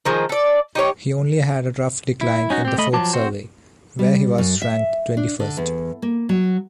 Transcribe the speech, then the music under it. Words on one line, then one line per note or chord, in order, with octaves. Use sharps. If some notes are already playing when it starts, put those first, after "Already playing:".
He only had a rough decline in the fourth survey, where he was ranked twenty-first.
D#3 F3 G#3
A4 D5
D#4 G4 C#5
E4
C#4 D#4 F#4
C4 G4
A3 D#5 B5
F3 F#3 A5 D6
C4 F#4 C5
G3
F#2
E5
D4
D3
E2
A#3
F#3